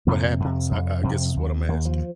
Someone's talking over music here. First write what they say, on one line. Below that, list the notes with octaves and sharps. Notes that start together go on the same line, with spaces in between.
What happens, I I guess is what I'm asking.
F2 C3 A#3
F2 C3
F2 C3
F2 C3 C4
D#2
D#2 A#3
F3